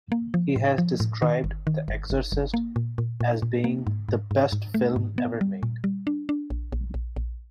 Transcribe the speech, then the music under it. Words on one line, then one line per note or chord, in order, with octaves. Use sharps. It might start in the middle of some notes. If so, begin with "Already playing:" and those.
He has described "The Exorcist" as being "the best film ever made".
A#3
F3
A2
F3
A2
D#3
G1
D#3
G1
G1
G1
A#3
A#2
A#2
A#2
A#2
A#3
G#2
G#2
G#2
G#2
A3
G#2
B3
G3
A#2
G3
D4
D4
A#1
A#1
A#1
A#1